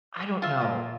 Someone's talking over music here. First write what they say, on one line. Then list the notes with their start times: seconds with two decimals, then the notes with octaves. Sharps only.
I don't know.
0.42 F4 E5
0.61 A#2